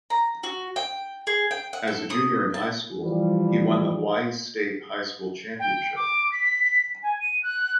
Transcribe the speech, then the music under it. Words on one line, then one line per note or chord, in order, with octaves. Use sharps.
As a junior in high school, he won the Hawaii State High School Championship.
A#5
F#4
G5
G#4
G5
F#5
A4
D#6
A5
E3 F3 G3
G5
D6
B6
B6
G#5
D#7
F#6